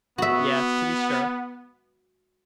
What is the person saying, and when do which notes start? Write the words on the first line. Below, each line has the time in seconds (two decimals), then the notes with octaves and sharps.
"Yes, to be sure."
0.18 B3 F#4 E5